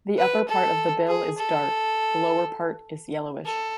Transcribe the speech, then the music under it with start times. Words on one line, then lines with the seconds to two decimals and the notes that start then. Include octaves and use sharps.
The upper part of the bill is dark, the lower part is yellowish.
0.18 B4
0.48 A4
1.08 G#4
1.38 A4
3.46 A4